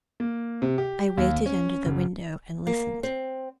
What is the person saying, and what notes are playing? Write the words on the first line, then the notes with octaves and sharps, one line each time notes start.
I waited under the window and listened.
A#3
C3
G4
D#2
C#4
F#1
A#3
C4